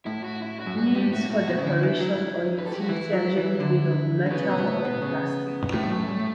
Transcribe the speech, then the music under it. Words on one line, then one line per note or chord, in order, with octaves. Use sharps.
Leads for decoration or utility are usually made of metal or plastic.
A2 E4
F#4
E4
F#4
F#2
G2 F#4
G2 G4
A2 F#4
A2 F#4
B2 E4
C#3
D3
E3
F#3
B4
A4
G4
F#4
E3 E4
F#3
E3
D3
D3
C#3 B3
B2
G2
A2
B2
C#3
A2 A3
G2
F#2
G2
A2